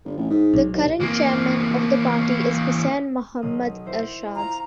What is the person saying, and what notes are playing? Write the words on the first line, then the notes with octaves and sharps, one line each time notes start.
The current chairman of the party is Hussain Mohammad Ershad.
G1
A1
G#2
B1
D#2
E3 A#3
B1 D#6
E4 C5
F4 A#5